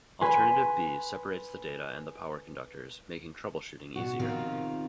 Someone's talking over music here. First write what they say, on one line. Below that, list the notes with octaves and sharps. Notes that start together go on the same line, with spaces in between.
Alternative B separates the data and the power conductors, making troubleshooting easier.
B4 G#5 C6
B2 F#4
C3 D#3 F3 C4 F4